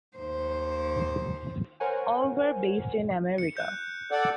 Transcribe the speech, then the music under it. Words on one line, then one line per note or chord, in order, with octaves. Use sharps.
All were based in America.
D#2 C5
A#4 C5 C#5 F#5 G#5
C#7
F#6 G6
A4 D5 F#5